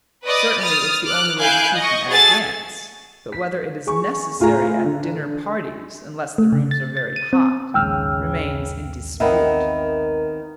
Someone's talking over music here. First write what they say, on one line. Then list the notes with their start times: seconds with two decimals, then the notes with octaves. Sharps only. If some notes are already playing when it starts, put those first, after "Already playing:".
Certainly it's the only way to keep them at a dance; but whether it is necessary at dinner parties, unless the rooms are very hot, remains in dispute.
0.25 B4 D5 D#5 D#6
0.58 D#6 F6 A6
1.05 D6 F6 F#6
1.39 E4 F5 G#5 F#6 G6 D7
1.76 D#5 C#6
2.09 F#4 G#4 A4 G#5 A6
3.32 B6
3.87 G#4 C#6
4.40 A2 F4 G#4 A#5
4.84 D3
6.38 A3
6.53 C#3
6.71 A6
6.97 A6
7.16 D#7
7.33 C4
7.74 A#1 D#2 G#2 C#3 G5 E6 F6
9.20 D#3 B3 C4 A#4 E5